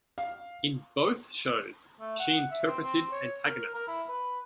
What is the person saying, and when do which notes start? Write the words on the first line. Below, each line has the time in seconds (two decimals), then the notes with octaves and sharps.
In both shows she interpreted antagonists.
0.18 F5
2.00 A3
2.19 F#5
2.51 E5
2.67 C4
2.84 C4
3.11 C#5
3.46 A#4
3.74 A#4
3.88 E4
4.08 B4